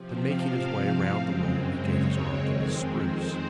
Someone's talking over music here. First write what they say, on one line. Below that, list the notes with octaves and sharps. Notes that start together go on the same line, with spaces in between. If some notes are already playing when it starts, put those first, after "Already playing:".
Then making his way round the room, he gave his arm to Miss Spruce.
Already playing: C3 F3 C4
F5
F#2 C#3 G#3 C4
C#5
F2 D#3 G#3 C4
C5